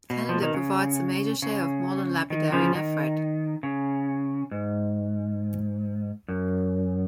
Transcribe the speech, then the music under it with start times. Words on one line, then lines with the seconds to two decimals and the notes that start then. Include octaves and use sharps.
Canada provides the major share of modern lapidary nephrite.
0.10 B2
0.29 F3
0.42 D#3
0.54 C#3
1.42 C#3
2.30 D#3
2.52 C#3 F3
2.75 D#3
3.63 C#3
4.51 G#2
6.28 F#2